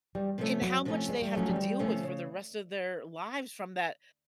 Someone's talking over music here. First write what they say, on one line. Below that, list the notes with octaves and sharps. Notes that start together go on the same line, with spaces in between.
and how much they have to deal with for the rest of their lives from that,
E2 G3
C3 F3 A3 C#4
E2 F#3
C3 F3 A3 C#4
E2 G#3
G3
C3 F3 F#3 A3 C#4
G3
E2
C3 F3 A3 C#4
C#3